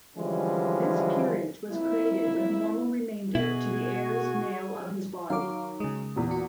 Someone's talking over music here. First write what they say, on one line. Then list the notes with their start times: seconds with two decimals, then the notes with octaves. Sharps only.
This peerage was created with normal remainder to the heirs male of his body.
0.17 D3 E3 F3 G3 G#3 C#4
1.72 F2 A#3 E4
3.35 B2 E4 F#4 G#4 G#5
5.30 D#3 F#3 F5 D6
5.80 C#3 G#3
6.16 E2 A#2
6.31 F#4